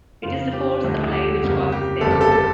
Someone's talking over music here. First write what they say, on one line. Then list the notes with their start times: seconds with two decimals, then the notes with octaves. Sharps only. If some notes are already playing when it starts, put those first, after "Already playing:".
It is the force applied which causes them.
0.23 F2 C#3 F3 F4
0.53 G4
0.83 D2 D3 F3 A3
1.12 G4
1.42 F2 C#3 G3 A#3
1.72 G4
2.01 G1 F2 C#3 G3 A#3 A4
2.11 G4
2.21 A4
2.32 A4